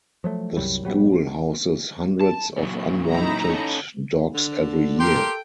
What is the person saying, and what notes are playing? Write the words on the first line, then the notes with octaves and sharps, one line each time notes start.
The school houses hundreds of unwanted dogs every year.
F3 F#3 A3
C2 F#2 F#3 G3
A#1 F#3 G3 B3
A5
A#2 F#3
D#4 E4 A#5
C#4 A4
D3
G4 A4 A#4 G5 C6